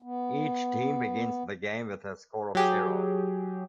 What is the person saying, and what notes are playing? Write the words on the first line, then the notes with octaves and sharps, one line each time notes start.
Each team begins the game with a score of zero.
B3
F#3 G4 G#4